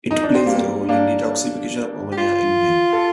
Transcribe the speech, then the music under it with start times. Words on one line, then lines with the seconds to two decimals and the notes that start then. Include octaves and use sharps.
It plays a role in detoxification of ammonia in brain.
0.11 D#4
0.23 D4
0.35 C4
0.46 G3 A#3
0.89 A#3 D4
2.12 G4
2.17 F4
2.93 A4